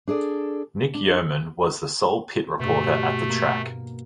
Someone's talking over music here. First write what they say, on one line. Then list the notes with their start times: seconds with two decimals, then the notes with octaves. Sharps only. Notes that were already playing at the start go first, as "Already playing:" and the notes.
Nick Yeoman was the sole pit reporter at the track.
0.08 D4 G#4 A4 D5
0.95 D4
2.60 G2 B2 A3
3.29 A#3